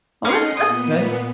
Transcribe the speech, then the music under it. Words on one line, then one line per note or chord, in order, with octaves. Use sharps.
Well, that that's good.
C#4 D#4 D#5 F#5 C6
A#2 B3 D#5 D#6